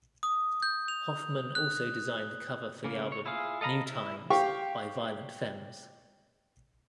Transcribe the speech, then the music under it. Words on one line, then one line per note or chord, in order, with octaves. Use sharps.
Hoffman also designed the cover for the album "New Times" by Violent Femmes.
D#6
G6
F7
F#6
C#3 A#3
C#5
E4 F4 G#4 F5
A4 D#5 F5 A#5 B5
E4
G4 F5 G5 C#6